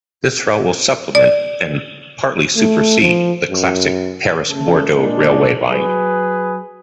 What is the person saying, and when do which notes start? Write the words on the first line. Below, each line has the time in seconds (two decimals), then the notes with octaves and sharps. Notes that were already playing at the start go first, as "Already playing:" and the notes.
This route will supplement - and partly supersede - the classic Paris-Bordeaux railway line.
1.15 D5
2.57 A3
3.01 F3
3.50 F#2
4.49 C#3 A3 A4
4.97 A#2 G#3 D4
5.70 F#3 G#4 B4